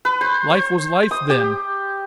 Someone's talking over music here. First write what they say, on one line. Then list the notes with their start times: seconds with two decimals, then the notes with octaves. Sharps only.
Life was life then!
0.05 B4
0.21 C5
0.50 C5
1.11 D#6
1.30 G4